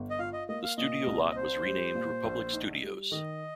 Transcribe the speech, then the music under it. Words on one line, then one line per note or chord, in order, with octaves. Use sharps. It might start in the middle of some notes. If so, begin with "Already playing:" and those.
The studio lot was renamed Republic Studios.
Already playing: G1
D#5
F4 F5
D#5
A#3 D#5
F5
A#2 D#5
C2
D#5
C4 C5
G3
A#2
A#1
D#4
G3
D#3 D#5